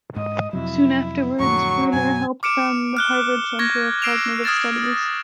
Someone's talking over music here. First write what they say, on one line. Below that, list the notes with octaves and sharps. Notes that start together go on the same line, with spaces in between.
Soon afterwards Bruner helped found the Harvard Center of Cognitive Studies.
G#2 D#5
F2 C3 F#3 E4
F2 A2 D3 F#3 C#6
F#2 B2 G#5
D6 F6 C#7 D7 E7
F6 F#6 G7
C#6 G#6 A#6
E6 C7 D7 E7 F7
D#6 F6 G#6 A6 E7